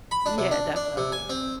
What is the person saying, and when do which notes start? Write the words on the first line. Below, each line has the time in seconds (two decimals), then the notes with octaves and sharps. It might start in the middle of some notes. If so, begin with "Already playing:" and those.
Yeah, definitely.
0.11 B5
0.26 D4
0.38 C3
0.51 D4
0.76 D4
0.97 C3
1.12 G#5
1.30 C4